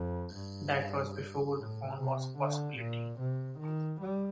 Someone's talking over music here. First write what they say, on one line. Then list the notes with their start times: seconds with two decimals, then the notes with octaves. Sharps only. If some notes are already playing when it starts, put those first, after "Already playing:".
That was before the phone was a possibility.
Already playing: F2
0.35 G2
1.57 A2
1.97 C3
2.38 D3
2.78 A#2
3.19 C3
3.59 D#3
4.01 G3